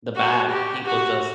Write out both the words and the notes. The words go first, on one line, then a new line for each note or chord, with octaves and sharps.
the bad people, just,
F#4
G4
F#4